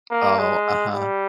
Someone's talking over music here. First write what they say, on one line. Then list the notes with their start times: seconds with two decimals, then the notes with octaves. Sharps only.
Oh, uh-huh.
0.11 A#3
0.39 G#3
0.95 G3